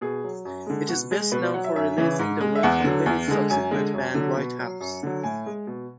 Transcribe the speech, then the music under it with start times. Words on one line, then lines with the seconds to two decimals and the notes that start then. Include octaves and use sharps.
It is best known for releasing the work of Bennett's subsequent band, Whitehouse.
0.01 B2 G#4
0.24 F#3
0.45 F#2
0.66 D3 G#3
0.88 B2 F#4
1.11 G#3
1.32 B2 B4
1.44 D5
1.54 F#3 F#5
1.64 E5
1.75 F#2 E5
1.98 C#3 E3
2.19 G#2
2.41 G#3
2.55 E5
2.63 E2 F#5
2.84 D3 F#3
3.06 E2
3.28 D3 G#3
3.50 F#2 G#5
3.71 D3 G#3
3.94 F#2
4.15 D3 F#3
4.37 B2
4.59 F#3
4.80 F#2
5.03 D3 F#3
5.23 A2 G#5
5.46 G#3
5.67 B2